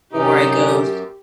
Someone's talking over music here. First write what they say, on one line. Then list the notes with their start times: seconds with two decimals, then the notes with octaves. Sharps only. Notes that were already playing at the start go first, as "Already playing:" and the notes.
Or I go s
0.13 F#2 C3 C#4 D#4 G4